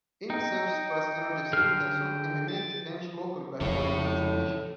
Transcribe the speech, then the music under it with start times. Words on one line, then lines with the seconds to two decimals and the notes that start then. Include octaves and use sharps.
Any such stress-energy pseudotensor can be made to vanish locally by a coordinate transformation.
0.30 D#4 G5
1.53 D3 G#4 F6
2.48 A6
3.61 F2 C#3 F3 A4 C#5